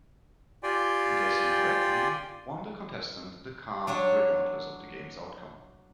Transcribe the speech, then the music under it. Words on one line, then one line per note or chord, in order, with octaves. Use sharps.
Guessing correctly won the contestant the car regardless of the game's outcome.
F4 G4 D5 G5 G#5 C6
F#3 D4 C#5